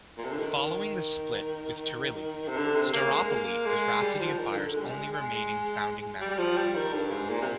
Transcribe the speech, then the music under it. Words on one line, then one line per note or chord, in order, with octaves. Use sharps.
Following the split with Turilli, Staropoli is Rhapsody of Fire's only remaining founding member.
A#2
C3
D3
D#3
C3
D3
C3
A#3
G#3
A#3
G#3
G3
F3
D#3
D#3
D3
G#3
G3
G#3
G#3
G3
G3
F3
G3
D#3
G2
G#2
A#2
C3